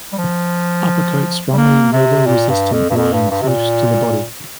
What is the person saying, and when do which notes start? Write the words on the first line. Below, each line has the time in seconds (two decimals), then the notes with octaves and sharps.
Upper coat strongly weather-resistant lying close to body.
0.13 G3
0.18 F3
1.53 G3
1.57 A#3
1.92 C3
2.26 A#2
2.49 G2
2.73 F2
2.90 G2
2.96 F2
3.13 G2
3.31 G2
3.42 C3
3.48 A#2